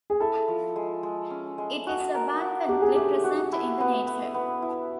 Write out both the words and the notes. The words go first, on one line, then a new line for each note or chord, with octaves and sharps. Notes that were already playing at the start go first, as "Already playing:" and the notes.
It is abundantly present in the nature.
G#4
E4 A4
F3
G#3
G#3
C#4
G#3
F#4
A#4
F#4
D4 G4
G#4
A3 G4
F#4
E4
B3
B3
B3
E4